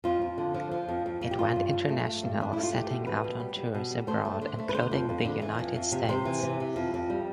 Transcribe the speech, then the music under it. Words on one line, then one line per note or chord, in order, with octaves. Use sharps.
It went international setting out on tours abroad including the United States.
F2 F4
F2
D3
F3
F3
F2
F2
F2
G4
G2 F4
G2
G2
A3
A3
G2
G2 D4
A3 E4
F4
G3 G4
B2
G3 B4
B2
G3
G3
B2
G3
A3 C5
A3
D3
A3
B4
D3 C5
F2
F2
D3
E3
F2
F2
C3
C3 C5
E3
C3
E3
F2
F2
G3